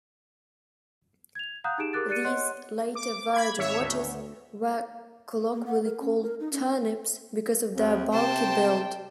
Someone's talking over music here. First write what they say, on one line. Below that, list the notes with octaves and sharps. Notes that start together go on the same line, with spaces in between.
These later verge watches were colloquially called 'turnips' because of their bulky build.
G#6 F7
F5 F#5 A#5 D#6 F#6 G6
D#4 G4 G#4 D7 E7
G4 G#4 A#4 D6 F#6 A6
G4 D5 F#6 A6 C#7 D#7
C#5 D#5 F#5 C6 F#6
D6
B5 G#6
G#1 C#5 E5
D2
A#3
F#5
A#4
C#4
A#4
D#4
C#4
D#2 C4
C3 C5 G5 A5